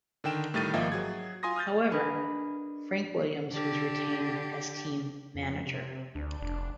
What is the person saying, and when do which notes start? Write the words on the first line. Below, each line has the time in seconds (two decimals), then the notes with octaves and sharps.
However, Frank Williams was retained as team manager.
0.24 D3 D#3 G5 E7
0.54 A2 D#3 G3 A3 A6 D#7
0.74 G#1 F3 A#3 D#5 E5 G5
0.92 F#3 G#4 G#6
1.43 F4 G#5 C6 D#6 A#6
1.56 D#6 F6 G6 A6
1.92 D4 G#4 A#4 B4 D#5
3.52 D3 G4
5.35 F2
5.66 C3
6.15 D2 D4
6.41 F1